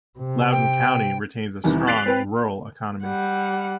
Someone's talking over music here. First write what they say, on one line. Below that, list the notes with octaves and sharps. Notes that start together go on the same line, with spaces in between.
Loudoun County retains a strong rural economy.
C3
G5
E2 C3 D#3 E3 G3
F#6 A6 B6 C7 D7 F7
C4 B4 G5
G3 F#5